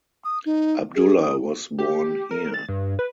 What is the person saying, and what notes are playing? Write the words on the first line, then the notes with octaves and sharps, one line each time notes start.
Abdullah was born here.
D#6
D#4
G#4
D#6
G4
A#4
A6
G2
B4